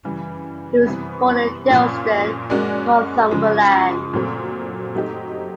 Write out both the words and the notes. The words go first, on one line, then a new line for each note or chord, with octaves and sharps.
He was born in Dilston, Northumberland.
C#3 E3 G3
C3 E3 G3 B3
A#2 F3 A#3 C#4
G#3 C#4 F#4 A#4 D5
C#3 F3 G#3
A#2 F#3 A3 C4
F#3 A3 C4 D#4 G4